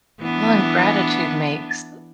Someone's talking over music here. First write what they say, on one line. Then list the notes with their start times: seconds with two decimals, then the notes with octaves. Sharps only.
Well, and gratitude makes
0.21 E3 B3 D4